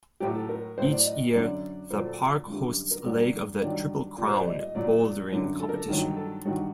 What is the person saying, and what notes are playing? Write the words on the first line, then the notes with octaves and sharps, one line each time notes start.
Each year, the park hosts a leg of the "Triple Crown" bouldering competition.
A2 F#3 G4
A4
A#4
A2 F#3 C5
D5
D#5
F#2 D3 F#3 D5
A#2 F#3 C5
A4
F#2 D3 G3
A#4
G2 D3 F#3 D5
G2 D#3 F#3 D5
A#2 G3
C5
D5
D#5
D#5
A#2 F#3 D5
F#2 D3 F#3
A4
A#4
A4
G2 D#3 F#3
A4
G2 D#3 F#3 F#4